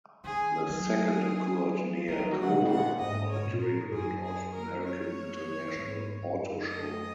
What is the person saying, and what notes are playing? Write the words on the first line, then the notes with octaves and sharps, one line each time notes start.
The second occurred near Cobo Hall during the North American International Auto Show.
D#3 G#4
F#3 G#4
F#3 A#4
D#3
F#3
F#5
A#2
C#3 F#5
A#2
G#2 D#5
C#5
A#2
A#4
G#2
F#2 G#4
G#4
A#4
C#5
G#2
F#2
D#5